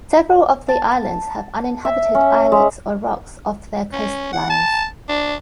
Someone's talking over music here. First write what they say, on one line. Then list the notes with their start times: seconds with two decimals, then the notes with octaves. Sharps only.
Several of the islands have uninhabited islets or rocks off their coastlines.
0.68 A5
1.85 E5
2.15 C#4
2.52 G#3
3.93 C#4
4.33 F#5
4.50 A5
5.09 D4